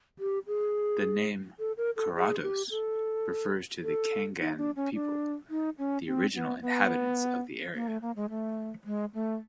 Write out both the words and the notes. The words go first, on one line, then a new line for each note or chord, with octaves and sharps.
The name "Coroados" refers to the Kaingang people, the original inhabitants of the area.
G4
G#4
A4
A#4
A4
G#4
G4
A4
A4
D#4
D4
C#4
D4
D#4
C#4
C4
B3
B3
A#3
A3
A#3
G#3
A3
G#3
A3